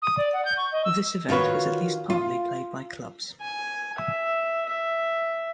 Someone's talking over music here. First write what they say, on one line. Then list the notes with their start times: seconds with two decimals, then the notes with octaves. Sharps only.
This event was at least partly played by clubs.
0.02 D#6
0.17 D5
0.33 F#5
0.45 G6
0.57 C#6
0.72 D#5
0.85 E6
1.29 D#3 F4 F#4 B4 C#5
2.10 F4
3.41 G#5
3.98 E5
4.66 E5